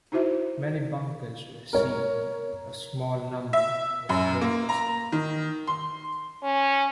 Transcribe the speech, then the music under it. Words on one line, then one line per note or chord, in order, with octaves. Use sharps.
Many bunkers were sealed, a small number were razed.
D#4 E4 F#4 C5 E5
A#4 C#5
E5
F#2
A#3
A#5
D#3
C6
C#4